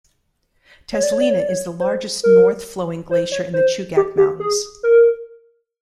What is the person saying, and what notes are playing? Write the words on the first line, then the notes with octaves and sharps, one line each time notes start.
Tazlina is the largest north-flowing glacier in the Chugach Mountains.
C#5
D5
C#5
D5
C#5
D5
C#5
C5
A#4
C5
C#5
C5
G4
G4
G#4
A#4